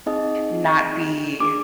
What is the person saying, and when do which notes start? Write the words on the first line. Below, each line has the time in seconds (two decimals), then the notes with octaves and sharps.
not be
0.06 C4 D#4 G#4 D#5
1.40 D4 G#4 D6